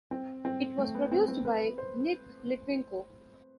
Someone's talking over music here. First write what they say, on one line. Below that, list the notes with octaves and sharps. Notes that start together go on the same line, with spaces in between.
It was produced by Nick Litwinko.
C4
C4
A3
B3
C4
C4
B4
C5